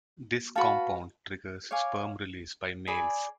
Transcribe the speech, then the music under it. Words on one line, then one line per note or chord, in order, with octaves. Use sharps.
This compound triggers sperm release by males.
F#4 B4 F5 A5
C#5 F5 G#5 D6
G#4 D5 G#5 B5